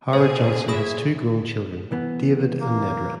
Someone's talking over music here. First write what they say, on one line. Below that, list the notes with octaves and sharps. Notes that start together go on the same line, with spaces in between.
Howard Johnson has two grown children, David and Nedra.
B2 D3 G#4 C5
A#2 G#4 E5 B5 D#6 G#6
C2 E3 B3
A#3